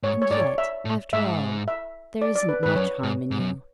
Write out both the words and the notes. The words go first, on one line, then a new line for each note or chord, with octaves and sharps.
And yet, after all, there isn't much harm in you.'
G#2 C#5
C#5
G#2 D5
C#5
E5
A2
G#2 E5
E5
D5
D5
B4
G#2 B4
F#2 C#5
G#2
G#2
F#2